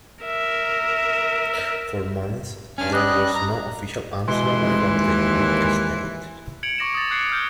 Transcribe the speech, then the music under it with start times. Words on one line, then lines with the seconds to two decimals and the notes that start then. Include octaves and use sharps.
For months there was no official answer from the Greek state.
0.24 A#4 E5
2.78 G2 C#4 D4 G#5 F6
2.93 G3 D#5 D6 D#6 F#6
3.34 A#5
4.28 B2 E3 G#3 C6
4.60 F1 G#3 C6
4.90 D#2
6.63 G#6 C#7 D7 F7 F#7
6.78 C#6 D6 A#6 D7 E7
6.95 D#6 A6
7.10 D6 F#6 G#6 C7 C#7
7.32 F6 G6